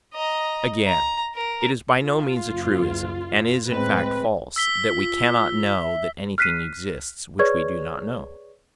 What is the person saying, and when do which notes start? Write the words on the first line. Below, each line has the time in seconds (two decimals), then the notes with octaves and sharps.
Again, it is by no means a truism, and is in fact false, that we cannot know that anything exists which we do not know.
0.14 D#5 A#5
0.87 A#5
1.35 A#4
2.01 F4
2.45 F#1
3.67 A2 G#3 C4 B4
4.56 E6 B6 G7
4.89 F4
5.82 E5
6.38 F6 F#6 B6 C7 D#7
7.39 G#4 B4 C#5 D5 C#6 G#6